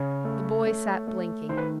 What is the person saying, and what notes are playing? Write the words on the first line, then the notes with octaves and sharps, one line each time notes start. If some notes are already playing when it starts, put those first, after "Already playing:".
The boy sat blinking.
Already playing: C#3 C#5
A3
A3
A3
D#3 C5
B4